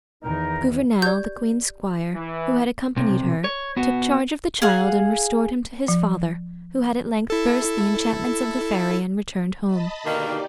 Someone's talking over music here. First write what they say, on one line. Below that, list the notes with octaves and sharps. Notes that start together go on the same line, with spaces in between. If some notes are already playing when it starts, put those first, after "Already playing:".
Gouvernail, the queen's squire, who had accompanied her, took charge of the child, and restored him to his father, who had at length burst the enchantments of the fairy, and returned home.
E2 D#3 D#4 A#4
G4 D5 G6
E3
B1 C3
C#5
B3 F#4
G#4 F5 F#5 G#5
F3
E4 A4
D#5 A5 B5
B2 D3 D#3 A#3 D#4 G4 D5